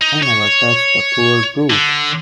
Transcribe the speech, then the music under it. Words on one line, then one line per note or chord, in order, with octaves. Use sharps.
I never touched the poor brute.
D#4
C#5
D3